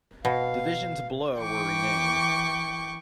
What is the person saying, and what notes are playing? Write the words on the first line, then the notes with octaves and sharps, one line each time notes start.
Divisions below were renamed.
B2 F5
E3 G5 C#6 D6